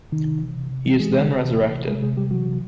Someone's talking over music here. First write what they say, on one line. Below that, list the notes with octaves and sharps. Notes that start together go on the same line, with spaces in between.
He is then resurrected.
C3 D#3 D#4
C3
E3
C3
C3
E3
E3 G#3 G#4
C3
C3
E3
E3
C3
C3 G#3 G#4
C3 G#3 G#4
C3 G3 G4
E3 F#3 F#4
C3